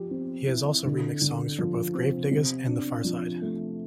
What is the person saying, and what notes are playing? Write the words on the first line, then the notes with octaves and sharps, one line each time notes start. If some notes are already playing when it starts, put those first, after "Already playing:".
He has also remixed songs for both Gravediggaz and The Pharcyde.
Already playing: F3 G4
C4
E4
D3
D3
F3
C4
C3
D4
F3
A3